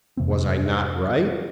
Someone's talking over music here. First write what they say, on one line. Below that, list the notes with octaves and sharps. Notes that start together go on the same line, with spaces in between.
Was I not right?
F2 C3 A#3 C4